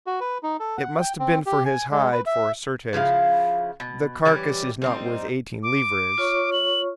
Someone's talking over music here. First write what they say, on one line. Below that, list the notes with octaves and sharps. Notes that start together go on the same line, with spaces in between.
It must have been for his hide, for, CERTES, the carcass is not worth eighteen livres.
F#4
B4
D#4
A4
F#5
G5
C4
G4
G#5
G#3
B4
E5
C#3 F3 E4 F5
B2
E3 G3 C#4 G4
G3 C4 D#4
D6
F4 C#5 C#6
F#7